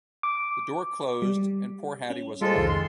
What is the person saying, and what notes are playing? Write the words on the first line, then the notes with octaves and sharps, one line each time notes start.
The door closed, and poor Hattie was alone.
D6
G3
C#4
G3 G#3 F4 A4 C5
C2 F2 D#3
C6